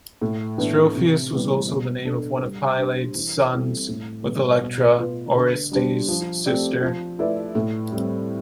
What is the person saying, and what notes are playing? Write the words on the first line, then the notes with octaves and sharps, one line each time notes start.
Strophius was also the name of one of Pylades' sons with Electra, Orestes' sister.
A2
E3 B3 D4
C3
E3 G3 B3
B2
B3 D4 A4
G3
D4 G4 C5
E3
G3 C4 E4 A4
A2
G3 B3
B2
B3 F4 B4
D3
G3 D4 G4 C5
F3
A3 C4 G4 D5
F3
A3 E4 B4 D5
A2
G3 C4